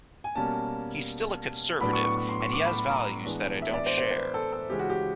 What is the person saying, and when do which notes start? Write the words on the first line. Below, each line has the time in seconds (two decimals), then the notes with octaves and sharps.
He's still a Conservative and he has values that I don't share.
0.24 G#5
0.35 B2 G3 A#3 C#4 A5
1.81 A2 F#3 B3 D4 B5
1.93 C#6
2.04 C#6
2.17 C#6
2.29 C6
2.41 C#6
2.53 D6
2.65 B5
2.78 B5
2.90 A#5
3.25 E3 G#3 B3 D4
3.62 E5
3.73 D5
3.86 C5
3.98 C5
4.11 C5
4.16 B4
4.34 A4
4.53 A4
4.70 C#3 E3 G#3 C#4 G4
4.79 F#4
4.89 G4